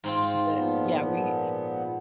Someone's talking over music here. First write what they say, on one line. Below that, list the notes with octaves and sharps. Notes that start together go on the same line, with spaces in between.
Th Yeah, we
G#2 C4 F4
A#2 F3 B3